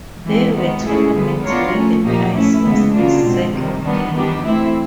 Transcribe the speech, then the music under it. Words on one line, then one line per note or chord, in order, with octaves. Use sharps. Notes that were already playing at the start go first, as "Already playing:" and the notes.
There were tournaments where the prize was a sack of grain.
E3 G#3 C4
D#3 G#3 B3
A3 C#4 E4 G#4
D3 G3 B3
B3 D4 F4 A#4 C#5
F3 A3 C#4
A#2 F3 A#3 D#4 G4
A3 C#4 E4
C#3 E3 G#3 B3
C#3 F#3 A#3 D4 F4
B2 G#3 C4
C3 D#3 G3
D#3 G3 B3 D4
D#3 G3 B3 D4 G4
E3 A3 C4 E4